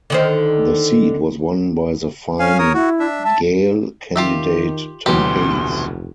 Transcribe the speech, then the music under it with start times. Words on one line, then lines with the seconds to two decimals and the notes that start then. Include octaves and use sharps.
The seat was won by the Fine Gael candidate Tom Hayes.
0.10 D3 D#3 C5
2.39 C#4 F5 G#5
2.59 A#4 C#5 D#6
2.74 E4 F#4
3.00 D4 E5
3.25 E5 A5
4.16 D#3 F4 G4 E5
5.06 D2 B2 E3 F#3 G4 C6
5.39 F1